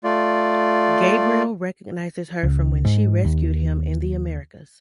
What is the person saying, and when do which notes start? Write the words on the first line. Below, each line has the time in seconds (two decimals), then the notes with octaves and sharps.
Gabriel recognizes her from when she rescued him in the Americas.
0.04 A3 F4 D5
2.43 C#2
2.85 G#2
3.25 D#2